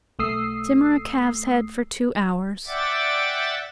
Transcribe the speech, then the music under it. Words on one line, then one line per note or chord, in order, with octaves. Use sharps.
Simmer a calves' head for two hours.
B1 A3 D#6 E6 C7
D5 E5 F#5 G5 D6 A6